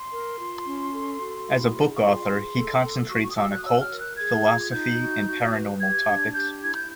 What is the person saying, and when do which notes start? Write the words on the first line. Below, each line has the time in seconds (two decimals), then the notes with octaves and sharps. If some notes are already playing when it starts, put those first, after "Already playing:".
As a book author he concentrates on occult, philosophy and paranormal topics.
Already playing: C6
0.11 A#4
0.38 F4
0.65 C#4
0.93 A4
1.19 F#4
1.47 E4
1.73 G#4
1.97 C#6
2.01 F4 C6
2.28 G#4
2.55 A4
2.82 A4
3.09 F#4 C#6
3.23 C#6
3.31 D#6
3.36 F#4 E6
3.50 F#6
3.57 D#6
3.63 C#5 E6
3.81 F6
3.91 A#4
4.00 F#6
4.17 G#4 G#6
4.45 F4
4.71 D#4 G6
5.00 F#4
5.27 F#4
5.53 B4
5.80 G4 G#6
6.07 D4
6.34 G4 G6
6.62 E4 G#6
6.75 G6